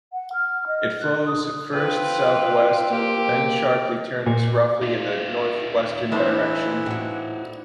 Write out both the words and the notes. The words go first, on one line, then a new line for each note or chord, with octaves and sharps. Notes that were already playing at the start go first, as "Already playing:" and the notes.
It flows first south-west, then sharply turns roughly in the north-western direction.
F#5
F6
D#5
F#6
D#6
C4 F4 B4
A#3 G4
A#2
D#4 F4
E3 A3 B3 D4 A4 C5 E5
A2 F#4